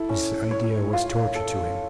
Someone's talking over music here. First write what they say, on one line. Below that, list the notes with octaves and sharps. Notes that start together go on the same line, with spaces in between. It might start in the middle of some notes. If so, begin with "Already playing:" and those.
This idea was torture to him.
Already playing: E4 A4
C#4
C#5
F4
A4